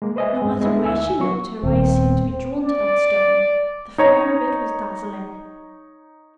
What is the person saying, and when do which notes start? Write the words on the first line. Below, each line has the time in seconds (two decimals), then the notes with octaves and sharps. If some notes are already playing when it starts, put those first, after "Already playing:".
No matter where she looked, her eyes seemed to be drawn to that stone; the fire of it was dazzling.
0.02 G#3 A#3
0.16 B4 C5 D#5 E5 G#5
0.42 G2 G#3
0.61 G#3 B3 D4 E4
0.83 D2 D#4 E5 G#5 E6
1.20 F#3 F#4 C#6
1.63 D#1 C4
2.63 D5
3.98 D#4 C#5 A#5